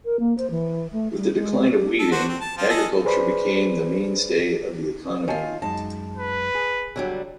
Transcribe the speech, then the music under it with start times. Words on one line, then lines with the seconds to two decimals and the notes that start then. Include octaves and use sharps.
With the decline of weaving, agriculture became the mainstay of the economy.
0.05 A#4
0.20 A#3
0.38 C5
0.51 E3
0.92 A3
1.17 G3
1.33 G#3
1.74 G4
1.99 A4
2.12 D4 F#4 C5
2.28 C4
2.41 A5
2.58 F3 C4 F4
2.69 G#4 A4 D#5
3.05 G#4 B4 C5 D5 B5
5.28 D#3 F4 C#5 G#5 A5
5.62 F#2 G#3 D#4 A5
6.17 B4
6.55 G#4
6.96 D3 F#3 G3